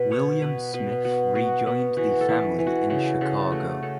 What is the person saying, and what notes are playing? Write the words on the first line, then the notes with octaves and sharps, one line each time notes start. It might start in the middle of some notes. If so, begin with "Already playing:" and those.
William Smith rejoined the family in Chicago.
Already playing: B2 B4
B3 C#5
B2 B4
B2 B4
B3 F#4
B3 F#4
B3 F#4
E3 F#4
A4
E3
E3
F#4
C#3 F#4
C#3 A4
A3 F#4
C#3 A4